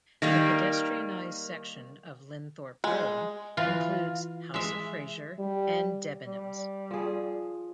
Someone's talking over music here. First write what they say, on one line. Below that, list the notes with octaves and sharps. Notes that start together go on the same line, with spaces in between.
The pedestrianised section of Linthorpe Road includes House of Fraser and Debenhams.
D#3 G3 A#3
G#3
E3 F4
G#3 E5
G3
G3
F3 G#4